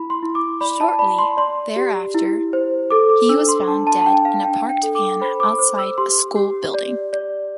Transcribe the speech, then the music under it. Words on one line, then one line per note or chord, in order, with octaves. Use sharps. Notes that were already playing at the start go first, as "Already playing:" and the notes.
Shortly thereafter, he was found dead in a parked van outside a school building.
Already playing: E4 B5
C6
E4
D6
D5 B5
A5
D5 B5
C6
D5 C6
G4
E4
C5
A4 D6
D6
D4 E6
C6
D4 A5
A5
A5
D4 G5
F5
D4 G5
G5
A4
D6
C5 B5
D6
C5
E6
G4 C6
G4
D5
D5